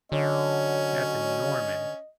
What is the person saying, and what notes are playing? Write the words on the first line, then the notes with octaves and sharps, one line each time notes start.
Yeah, that's in Norman.
D3 F#3 C#4 D#5